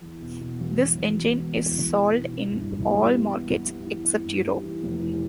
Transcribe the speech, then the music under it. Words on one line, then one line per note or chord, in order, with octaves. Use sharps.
This engine is sold in all markets except Europe.
E2
B2
B2
E1
E1
E1
E1
B3
E2
E1
E1
B2
E3
G2
E3
G3
B3
G3
B3
G3
E3
G3
G2
G3
E3
F1
E3